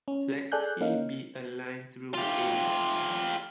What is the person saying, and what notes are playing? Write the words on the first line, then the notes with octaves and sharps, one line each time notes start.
Let "C" be a line through "A".
C#4
G#4 A4 D5 G#5 F#6 G6
A#3 C#4 D#4 F5
F4 G4